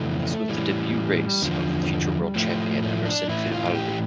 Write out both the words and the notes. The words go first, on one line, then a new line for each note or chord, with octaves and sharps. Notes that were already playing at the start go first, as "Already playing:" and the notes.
This was the debut race of the future world champion Emerson Fittipaldi.
Already playing: F2 C#3 E3 A3
A2 E3 G3
E2 D3 F3
A2 F3 A3
A3
D4
A2 E3 E4
F4
G4